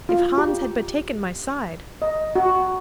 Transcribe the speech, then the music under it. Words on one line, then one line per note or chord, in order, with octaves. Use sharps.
If Hans had but taken my side!
F4
G4
D#5
F#4